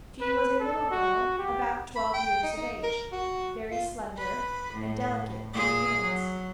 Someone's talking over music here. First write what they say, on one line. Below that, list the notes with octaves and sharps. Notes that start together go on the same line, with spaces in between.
She was a little girl about twelve years of age, very slender and delicate in appearance.
B4
A4
F#4
G4
B5
G5
D#4
D#4
A#4
F#4
F4
B4
A2
A#2 G#4
F#3